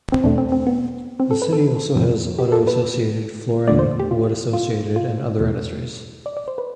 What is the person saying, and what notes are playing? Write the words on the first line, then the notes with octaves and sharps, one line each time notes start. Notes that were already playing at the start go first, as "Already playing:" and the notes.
The city also has auto-associated, flooring, wood-associated, and other industries.
C4
E2 B2 A3 D4
C4
C4
B3
C4
A4
B4
A4
F2 C3 F3
G4
A4
B4
E2 D3 A3 D5
C5
G4
F4
F4
F4
E2 B2 A3
D5
D5
C5
B4